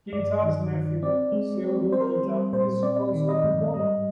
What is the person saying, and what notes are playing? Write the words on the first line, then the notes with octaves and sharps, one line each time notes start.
Keita's nephew, Seydou Keita, is also a footballer.
G2 D5
D#3
D#3
C4 D5
G#3
C4
C4 C5
A#4
C5
G3
A#2 C5
C4 D5
D#3
D#5
G#2
G3 D#5